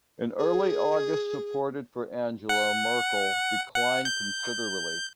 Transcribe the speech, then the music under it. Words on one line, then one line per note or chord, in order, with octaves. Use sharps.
In early August support for Angela Merkel declined considerably.
G#4
F#5
F#5
G6